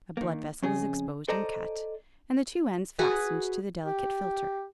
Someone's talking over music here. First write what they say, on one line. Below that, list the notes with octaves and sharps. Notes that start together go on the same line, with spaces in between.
A blood vessel is exposed and cut, and the two ends fastened to the delicate filter.
D#3 A#3
F2 C#3 G#4
A4 C5 D5 D#5 A5 A#5
F#4 G#4 B4
G4